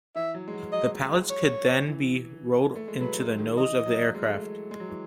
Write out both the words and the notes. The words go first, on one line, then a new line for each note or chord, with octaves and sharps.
The pallets could then be rolled into the nose of the aircraft.
E3 E5
F#3
G#3
F#3
F#3 D#5
C#5
E3
A3
G#3
F#3 B4
G#3
D#3
E3 D#5
F#3
G#3
A3
G#3
G#3
F#3
E3